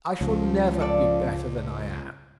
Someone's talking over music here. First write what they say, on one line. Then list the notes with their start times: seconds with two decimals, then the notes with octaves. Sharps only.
I shall never be better than I am.
0.21 C#2 C#3 F3
0.80 A4 D5